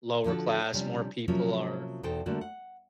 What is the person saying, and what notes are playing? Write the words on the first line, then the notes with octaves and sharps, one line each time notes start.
lower class, more people are
D3 F3 F#4 A4
C3 F3 G3 C#4 D4
C3 F3 F#3 A#3 C#4 F4
E2 B2 D#4 A4 C5 G5
D3 G3 A3 A#3 F#4
F#5